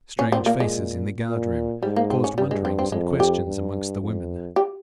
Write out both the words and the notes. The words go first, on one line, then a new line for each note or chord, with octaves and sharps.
Strange faces in the guard-room caused wonderings and questions amongst the women.
A#2 C#4
C4
A#3
G#3
A#2
G#2 G3
A#3
C4
C#4
G2 G3
G#3
C4
C4
F2 G#3
G4
G2
F2
G4